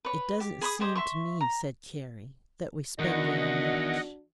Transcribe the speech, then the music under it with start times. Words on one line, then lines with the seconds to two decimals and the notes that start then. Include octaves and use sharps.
"It doesn't seem to me," said Carrie, "that we spend very much."
0.05 B4 C#5
0.40 G4
0.61 G#4 B5 C6 D#6
0.80 G4 G#4 C5 D#5
0.95 E5 C6 C#6
1.41 A#5
2.99 E2 D#3 D4 F#4 D#5 F#5